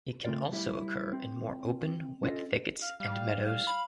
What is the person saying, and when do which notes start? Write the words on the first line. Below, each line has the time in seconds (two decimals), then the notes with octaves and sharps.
It can also occur in more open wet thickets and meadows.
0.25 C#3 A3 C4 F4 A#4 D5
0.53 G3 E4
1.13 C4
2.23 C#4 E4 F4 A4 D#5
2.82 F5
3.00 G3 F5
3.46 F5
3.67 B5